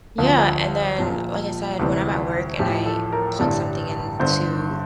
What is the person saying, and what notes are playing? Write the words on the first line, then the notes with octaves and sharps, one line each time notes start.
Yeah, and then, like I said, when I'm at work and I plug something into,
D2 D3 F3 F4
A#1 A#2 F3
D2 C3 E3 G3
A1 A2 F3 G4
A4
A#4
A1 G2 D3 G3
G1 G2 D3 C5